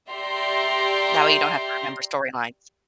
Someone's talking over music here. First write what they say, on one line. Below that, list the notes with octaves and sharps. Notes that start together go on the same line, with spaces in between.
that way you don't have to remember storylines.
G4 D5 E5 A#5 C6